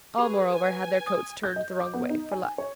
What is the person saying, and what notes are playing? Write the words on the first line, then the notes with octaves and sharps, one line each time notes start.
All, moreover, had their coats turned the wrong way, for luck.
G4 G#4 B4 B5
G#5
D#6
G6
D#5
D6
B3
D#4
G#5
C#5